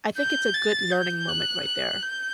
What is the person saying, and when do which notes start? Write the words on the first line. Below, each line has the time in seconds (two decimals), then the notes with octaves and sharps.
I think it's a good learning moment right there.
0.17 G6
0.54 A6
0.91 G6
1.29 F#6
1.65 F#6
2.02 G6